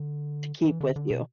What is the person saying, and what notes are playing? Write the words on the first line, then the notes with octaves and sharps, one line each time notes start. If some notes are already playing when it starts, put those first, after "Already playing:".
to keep with you.
Already playing: D3
E3
D3
D3
B2